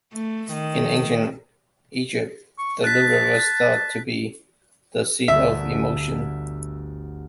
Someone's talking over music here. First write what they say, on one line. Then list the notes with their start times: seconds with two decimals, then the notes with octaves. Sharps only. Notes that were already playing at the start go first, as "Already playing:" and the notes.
In ancient Egypt, the liver was thought to be the seat of emotion.
0.13 A3
0.53 D#3
2.58 C#6
2.84 A5 F#6 B6
5.28 G1 D2 E5